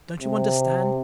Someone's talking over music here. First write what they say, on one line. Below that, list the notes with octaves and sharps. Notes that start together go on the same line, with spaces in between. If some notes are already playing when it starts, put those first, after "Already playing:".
Don't you understand?
C3